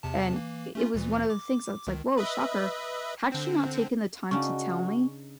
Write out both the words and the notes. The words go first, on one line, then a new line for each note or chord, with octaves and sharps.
and i it was one of the things that's like, whoa, shocker. Had she not taken the time to tell me,
E2 C3 A5
E3 A#3
A3 C#4 F4
D2 A#2 E3
D6
C#2 D#3
B4 D#5 E5
D3 C4
C#3 D4 D#4 F#4 G#5 C#6